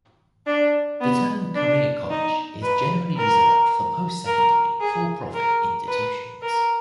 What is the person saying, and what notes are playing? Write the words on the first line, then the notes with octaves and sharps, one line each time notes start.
The term "career college" is generally reserved for post-secondary for-profit institutions.
D4
B3
D4
D#4
B4
A#4
A#4
G#4
A#4
B4
A#4